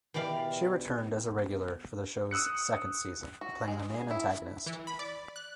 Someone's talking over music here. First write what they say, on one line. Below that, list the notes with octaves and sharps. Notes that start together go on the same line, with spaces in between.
She returned as a regular for the show's second season, playing the main antagonist.
B2 E3 G4 D5 F5
D#6 E6 F#6 C#7
F#4
G#3
G#4
E4
E3
B5
D5
F#6